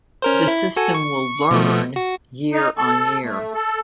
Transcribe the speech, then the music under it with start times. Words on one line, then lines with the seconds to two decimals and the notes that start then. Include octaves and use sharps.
The system will "learn" year-on-year.
0.22 C#4 A#4 C5
0.48 E4
0.76 F#4 A4 G#5
0.95 C#6
1.51 B2 F3 A3
1.96 F#4
2.52 D#4
2.77 A4
3.24 A3
3.54 A4